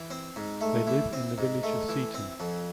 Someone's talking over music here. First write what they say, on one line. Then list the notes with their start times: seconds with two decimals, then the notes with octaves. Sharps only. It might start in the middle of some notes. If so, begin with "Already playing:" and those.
They live in the village of Seaton.
Already playing: E3
0.10 C4
0.36 G#2
0.61 A3
0.87 E3
1.13 C4
1.38 G#2
1.63 A3
1.89 E3
2.14 C4
2.40 F2